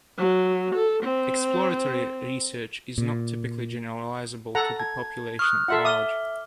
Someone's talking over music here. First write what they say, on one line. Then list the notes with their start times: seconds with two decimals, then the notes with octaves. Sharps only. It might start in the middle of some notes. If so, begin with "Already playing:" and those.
Exploratory research is not typically generalizable to the population at large.
0.18 F#3
0.75 A4
1.03 C4
2.98 A#2
4.55 A4 F#5 A#5
4.80 A5 G#6
5.39 C#6 D#6 F6 F#6
5.68 F4 A4 E5 F#5 C6 C7
5.85 E5 D6 D#6 F6 G7